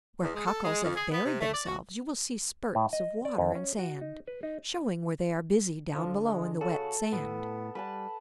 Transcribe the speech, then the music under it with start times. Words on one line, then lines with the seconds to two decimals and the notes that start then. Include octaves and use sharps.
Where Cockles have buried themselves you will see spurts of water and sand, showing where they are busy down below in the wet sand.
0.22 E2
0.34 G#3
0.47 A4
0.64 G#3
0.83 F2
0.96 G#4
1.11 B3
1.25 C3
1.40 A3
1.53 D5
1.66 F#4
2.75 A2
2.93 D#5
3.25 D5
3.38 F2
3.55 C#4
3.79 F#4
4.01 D#4
4.27 B4
4.43 D#4
5.95 D3 F3
6.25 G#3
6.61 C#3 F#4 A4
7.12 A2 B3
7.75 G3 B4 F#5 A5